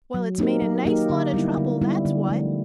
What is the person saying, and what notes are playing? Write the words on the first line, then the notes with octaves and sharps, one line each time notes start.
Well, it's made a nice lot of trouble, that's what.
F#3
A#3 D#4 G4 A#4
F#3
A#3 D#4 G4 A#4
D3
G3 B3 E4
D3
G3 B3 E4
D3
F3 A3